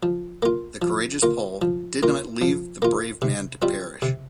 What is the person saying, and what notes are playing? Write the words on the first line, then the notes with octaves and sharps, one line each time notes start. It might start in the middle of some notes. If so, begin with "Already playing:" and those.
The courageous Pole did not leave the brave man to perish.
F3
A#3 F4
F3
A#3 F4
F3
A#3 F4
F3
A#3 F4
C3
G3 C4 F4
C3